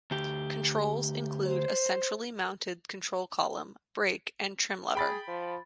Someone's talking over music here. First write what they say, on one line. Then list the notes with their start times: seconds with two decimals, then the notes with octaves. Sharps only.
Controls include a centrally mounted control column, brake and trim lever.
0.11 D2 G4
1.46 C5
4.95 G#4 G5 B5 A6
5.28 F3